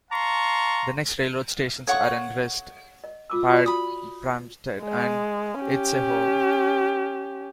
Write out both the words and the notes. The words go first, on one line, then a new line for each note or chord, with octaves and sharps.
The next Railroad stations are in Wrist, Bad Bramstedt and Itzehoe.
F5 A5 A#5 C6 C#6
A4 C#5 F5 F#5 C#6
D#5
F4 D6 E6
F4 F#4 D5
B5 D#6
G#3
C#4 G4